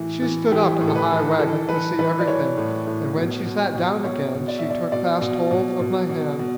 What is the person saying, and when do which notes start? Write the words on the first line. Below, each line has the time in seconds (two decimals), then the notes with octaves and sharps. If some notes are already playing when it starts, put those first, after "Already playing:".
She stood up in the high wagon to see everything, and when she sat down again she took fast hold of my hand.
Already playing: A2 E3 E4
0.22 E3
0.52 E3 G4
0.81 A2
0.88 A4
0.96 B4
1.11 E3
1.39 E3 A4
1.69 E3 B4
1.99 E3 B4
2.20 D5
2.28 E3 C#5
2.57 A2
2.87 A2
3.16 B2
3.45 B2
3.75 B2
4.04 B2 C#5
4.33 B2
4.48 D5
4.59 B2 E5
4.70 D5
4.92 B2 D5
5.21 B2
5.51 B2
5.80 B2
6.09 B2
6.39 B2